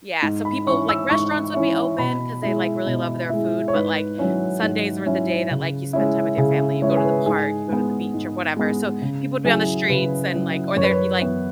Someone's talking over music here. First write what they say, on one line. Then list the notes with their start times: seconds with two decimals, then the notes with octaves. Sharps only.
Yeah, so people like restaurants would be open 'cause they like really love their food, but like, Sundays were the day that like you spend time with your family, you go to the park, you go to the beach, or whatever, so people would be on the streets, and like, or there'd be like
0.22 G#2
0.45 B5
0.67 E3 C#4 E4 C#6
0.89 E6
1.10 G#2 C#6
1.54 E3 C#4 E4
1.98 B2 B5
2.43 G#3 E4
2.86 B2
3.30 G#3 E4
3.68 C#5
3.74 G#2 B4
4.18 F#3 C#4 E4
4.62 G#2
5.06 F#3 C#4 E4
5.50 C#3
5.93 G#3 C#4 E4
6.37 C#3 G#4
6.82 G#3 C#4 E4 C#5
6.89 B4
6.97 G#4
7.05 B4
7.26 G#2 G#4
7.69 G#3 B3
8.14 G#2
8.57 G#3 B3
9.02 C#3
9.44 F#3 E4 G#4
9.89 C#3 B4
10.32 F#3 E4
10.76 F#2 C#5
10.84 B4
10.91 C#5
11.21 E3 B3 E4